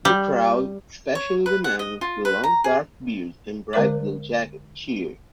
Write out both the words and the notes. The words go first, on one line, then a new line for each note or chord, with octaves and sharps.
The crowd, especially the man with the long dark beard and bright blue jacket, cheer.
G3
C#5
B4
F#5
D#5
F4
B4
A#5
G#4
D3 G#3 A#4 C5 D5 D6